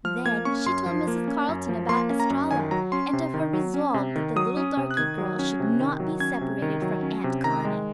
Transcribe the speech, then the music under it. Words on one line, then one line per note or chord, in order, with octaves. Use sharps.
Then she told Mrs. Carleton about Estralla, and of her resolve that the little darky girl should not be separated from Aunt Connie.
F3 F6
A#3 G#6
C#4 C#6
F#2 C6
F3
A#3
C#4
F#2
F3
A#3 C6
C#4
A#5
F#2
D#3 G#5
F#3 A#5
C#4 C6
C3
D#3
F#3
C#4
C3
D#3
F#3 D#6
C#4
C3
F#6
D#3 G#6
F#3
C#4
C3
D#3
F#3
C#4 G#6
C3
D#3
F#3
C#4
C3
D#3 A#5
G#3